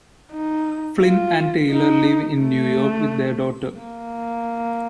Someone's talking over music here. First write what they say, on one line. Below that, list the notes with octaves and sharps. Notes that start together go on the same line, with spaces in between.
Flynn and Taylor live in New York with their daughter.
D#4
F4
D#4
A3
A#3